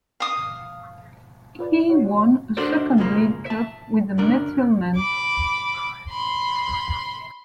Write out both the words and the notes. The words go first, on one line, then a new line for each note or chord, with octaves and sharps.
He won a second league cup with the Methil men.
F5 D#6
F4 B4 D5
F#4 C#5 F#5
D4 F#4 A4 A#4 C5 D5
B1 F2 C#3 G#3 A#3
E5 A5
C#2 F#2 D4 A#4
B5 D6
B5 C6